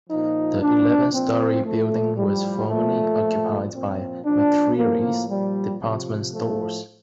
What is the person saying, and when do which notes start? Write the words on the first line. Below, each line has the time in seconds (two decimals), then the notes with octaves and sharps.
The eleven-story building was formerly occupied by McCreery's Department Stores.
0.09 A#2 F3 D#4
0.61 A#2 F3 D4
1.13 A#2 F3 C4
1.64 A#2 F3 A3
2.16 A2 F3 G3
2.68 A#2 F3 A3
3.20 A#2 F3
3.72 A#2 F3 C4
4.24 A#2 F3 D4
4.76 A2 F3 A#3
5.27 A#2 F3 G3
5.79 C3 F3
6.31 A2 F3 A3